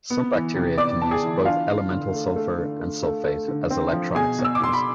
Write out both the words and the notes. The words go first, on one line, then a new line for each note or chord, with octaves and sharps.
Some bacteria can use both elemental sulfur and sulfate as electron acceptors.
B3
E3
C3
B3 D5 D6
B3 A5
G#4 G#5
E3
D4 F4 F5
D4
D3
A3
A3
D3
A3
A3
A3
D3
C4
F3
B2 G#4 G#5
B2
E6
D6
B2 C6
B5